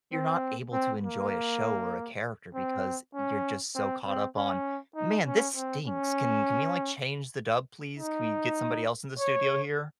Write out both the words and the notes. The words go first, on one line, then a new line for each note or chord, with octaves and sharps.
you're not able to enjoy a show or a character because you're just so caught up on, "Man, this stinks. Can can we, like, change the dub, please? Can we get somebody else in the studio here?"
C4
C4
A#3
C4
C#4
C4
C4
C#4
D#4
C#4
C4
C#4
D#4
C#5